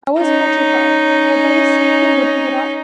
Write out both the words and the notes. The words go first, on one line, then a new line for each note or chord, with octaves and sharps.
I was petrified, but Bay simply wouldn't get off.
C#4 D#4